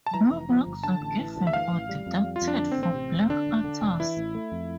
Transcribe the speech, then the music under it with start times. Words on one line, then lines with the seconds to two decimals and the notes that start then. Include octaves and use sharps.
No marks were given or deducted for blank answers.
0.06 A5
0.14 E3 A#5
0.31 F1
0.49 F3
0.66 G1
0.83 D3 A5
1.01 A1
1.19 E3
1.36 D2
1.47 E5
1.53 E3 F5
1.72 A1
1.89 G3
2.06 F2
2.24 G3
2.36 F4
2.42 F2
2.48 D4
2.59 D3 D4
2.72 C4
2.77 A1
2.83 C4
2.94 C3
3.12 E1
3.29 D3 D4
3.47 E1
3.64 D3
3.82 F1
4.00 E3 E4
4.17 A1
4.35 A3
4.52 F2